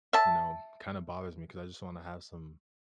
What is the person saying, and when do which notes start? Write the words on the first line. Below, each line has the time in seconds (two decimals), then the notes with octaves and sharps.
you know, kinda bothers me 'cause I just wanna have some
0.13 E5 A5